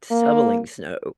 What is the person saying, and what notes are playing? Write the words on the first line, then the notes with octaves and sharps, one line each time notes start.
shoveling snow.
A#3